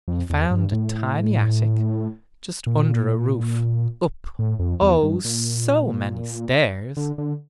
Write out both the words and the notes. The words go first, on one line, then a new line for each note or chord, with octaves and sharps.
He found a tiny attic, just under a roof, up, oh! so many stairs.
F2
E2
G2
A2
A#2
A2
F2
E2
G2
A#2
D3
D3